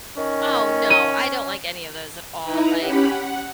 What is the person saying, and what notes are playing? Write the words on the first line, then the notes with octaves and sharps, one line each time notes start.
Oh, no, I don't like any of those at all, like
D#3 C#4
D#7
D#4 E4 B4 A#5
C#4 G4 F#5 B5
F#5